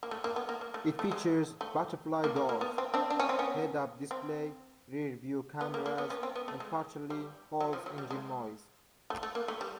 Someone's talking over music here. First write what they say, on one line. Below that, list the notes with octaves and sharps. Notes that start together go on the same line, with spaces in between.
It features butterfly doors, head-up display, rear-view cameras and partially false engine noise.
A#3
A3
A#3
B3
A#3
A#3
A3
A3
G#3
A3
A#3
A#3
A#3
B3
C4
C4 D4
D4
C#4
C4
B3 C#4
C4
B3
A#3
A#3
B3
B3 C#4
C4
B3
A3
G#3
G3
F#3
F3
F#3
G3
G#3
A3
A3
A#3
A3
G3